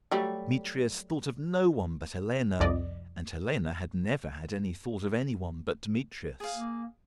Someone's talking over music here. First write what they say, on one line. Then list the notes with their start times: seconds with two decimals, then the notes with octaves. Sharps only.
Demetrius thought of no one but Helena, and Helena had never had any thought of anyone but Demetrius.
0.11 F#3 G3 A3
2.60 C2 F2 D5 D#5
6.40 G#4 F5
6.55 A#3